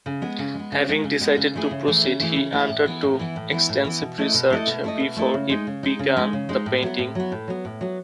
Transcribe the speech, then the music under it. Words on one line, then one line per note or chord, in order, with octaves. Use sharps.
Having decided to proceed, he undertook extensive research before he began the painting.
C#3
G#3 B3
C#3
G#3
B3
C#3
G#3 B3
C#3
G#3 B3
C#3
E3 A3 E4 G#4
C#3
E3 A3 E4 G#4
C#3
E3 A3 E4 G#4
C#3
E3 A3 E4 G#4
A2
E3 B3 E4
A2
E3 B3 E4
A2
E3 B3 E4
A2
E3 B3 E4
B2
A3 E4 A4 D#5
B2
A3 E4 A4 D#5
B2
A3 E4 A4 D#5
B2
A3 E4 A4 D#5
C#3
G#3 D#4
C#3
G#3 D#4
C#3
G#3 D#4
C#3
G#3 D#4
A2
F#3 B3
A2
F#3 B3
A2
F#3 B3
A2
F#3 B3